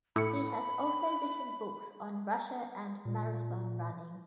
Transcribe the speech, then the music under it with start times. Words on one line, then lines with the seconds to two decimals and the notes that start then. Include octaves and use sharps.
He has also written books on Russia and marathon running.
0.16 A2 B5 C#7
3.05 A#2